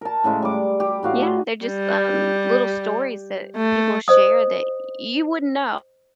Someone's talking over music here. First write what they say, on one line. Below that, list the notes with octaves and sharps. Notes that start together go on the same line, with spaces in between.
yeah, they're just, um, little stories that people share that you wouldn't know.
A#4 A5
A2 C#3 G#3
G3 D6
G4
A2 F#4 F5
G#4
G3
A3
C5 D#5 D#6